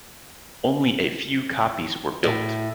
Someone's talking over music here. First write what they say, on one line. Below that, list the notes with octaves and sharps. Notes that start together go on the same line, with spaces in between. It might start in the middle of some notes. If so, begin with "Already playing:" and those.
Only a few copies were built.
A2